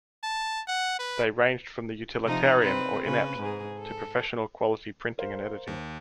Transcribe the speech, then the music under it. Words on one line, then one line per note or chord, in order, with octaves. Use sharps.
They ranged from the utilitarian or inept to professional-quality printing and editing.
A5
F#5
B4
C3 F3 D#4
C4 B4
C#3 B4
G#2 G#4
A4
A#4 C5 F5
D#2